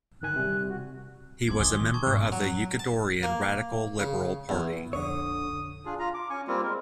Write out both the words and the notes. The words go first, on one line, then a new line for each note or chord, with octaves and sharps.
He was a member of the Ecuadorian Radical Liberal Party.
G1 D#3 G#5 F#6
C3 G3
F#4
B3 C4 C6 D6 G#6
D#3 G#5 D#6 G7
D3
A5 C#6 G#6
G#1
F#3
A5
A#3
C#3
E2
A#1 F2 D3 C#5 D#6
D4 F4 G#4
F4 A#5
D6
C#4 G#5 C#6
G3 A#3 C4 F4
G#3 A#4